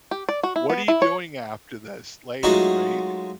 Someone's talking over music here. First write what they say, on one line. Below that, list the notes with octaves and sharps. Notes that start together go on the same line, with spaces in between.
What are you doing after this later?" Right?
G4
D5
F#4
E4
B3
E4
C#5
F#3 G#3 A3 D#4 F4 F#4